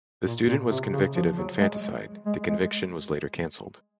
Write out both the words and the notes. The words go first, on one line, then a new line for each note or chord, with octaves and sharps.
The student was convictied of infanticide, the conviction was later cancelled.
A#2
A#2
C3
C#3
F3
F#3
G#3
G#3
G#3